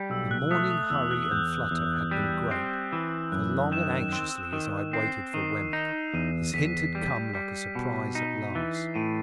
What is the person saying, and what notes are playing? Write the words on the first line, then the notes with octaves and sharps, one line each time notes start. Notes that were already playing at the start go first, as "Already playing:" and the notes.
The morning hurry and flutter had been great; for, long and anxiously as I had waited for Wemmick, his hint had come like a surprise at last.
Already playing: G3
B1 E6
F#6
A3 D#6
D#6
E2 E6
F#6
E2 G6
E2
G3
C4
E3 E6
F#2 F#6
D#3 E7
C4 E7
D#3
C4 C7
D#3 D#7
D#4 D#7
E2 D#7
E2 B6
G3
G3
B2
D#4
E3 A6
C7
A2 D#7